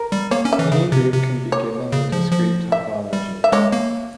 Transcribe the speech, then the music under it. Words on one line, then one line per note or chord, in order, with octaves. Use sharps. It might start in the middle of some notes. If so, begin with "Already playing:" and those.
Any group can be given the discrete topology.
Already playing: A#4
G3
A#3 C#5
C#4
E5
E3
C#3
C3
C3
C#5
C#3
F3
F3
E5
G3
E5
G#3 C#5
A#3